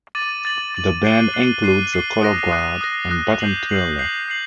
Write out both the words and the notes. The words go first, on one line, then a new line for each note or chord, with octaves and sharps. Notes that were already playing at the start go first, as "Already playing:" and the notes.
The band includes the Colorguard and Batton Twirler.
D6 A6 D#7 F#7
D6 A6 D#7 F#7
D6 A6 D#7 F#7
F#6 C7 D#7 G7
F#6 C7 D#7 G7
F#6 C7 D#7 G7
F#6 C7 D#7 G7
D#6 F#6 A#6
D#6 F#6 A#6
D#6 F#6 A#6
D#6 F#6 A#6
G6 C7 F#7
G6 C7 F#7
G6 C7 F#7
G6 C7 F#7